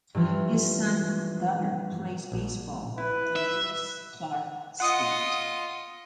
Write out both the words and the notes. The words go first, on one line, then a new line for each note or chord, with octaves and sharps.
His son, Gunnar, plays baseball for Lewis-Clark State.
G2 E3 F3 C#4
A#1
E4 B4
E5
F4 D#5 F#5 D#6 C#7